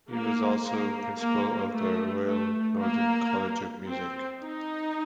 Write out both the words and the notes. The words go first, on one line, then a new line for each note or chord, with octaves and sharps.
He was also principal of the Royal Northern College of Music.
A#3
A#3
A#3
A3
A3
A#3
C4
D#4